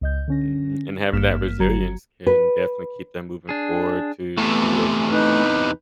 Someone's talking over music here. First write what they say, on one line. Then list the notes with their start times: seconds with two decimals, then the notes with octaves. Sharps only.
Mhm. And having that resilience can definitely keep them moving forward to towards
0.01 C#2 D#5 G6
0.28 D3 C#4 A#6
1.12 G#1 G2 A#3 F6 B6 E7
1.59 G1 F#3 F#4 A#5 G#6 C#7
2.27 B4
3.49 D4 G#4
4.37 E2 C3 E3 A3 B3
5.12 D#4 B4